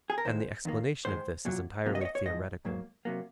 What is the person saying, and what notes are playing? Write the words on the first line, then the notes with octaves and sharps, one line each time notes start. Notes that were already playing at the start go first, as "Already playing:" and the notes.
And the explanation of this is entirely theoretical.
G#4
A#4
D#2 D#3 G#3 C5
D#2 D#3 A#3
G#2 D#3 G#3 C5
C2 A#2 F#3
C#2 C3 F#3 A#3
D#5
C#5
D#5
C#5
G#2 F3 G#3 D#5
G#2 F#3 A#3
C3 F#3 A#3